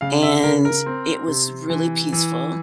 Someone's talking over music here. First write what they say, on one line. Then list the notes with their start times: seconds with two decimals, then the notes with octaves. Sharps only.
and it was really peaceful.
0.01 C#3 F5
0.23 E5
0.44 C#3 A#4
0.65 A#4
0.86 C4
1.28 C3
1.70 E3
2.13 E3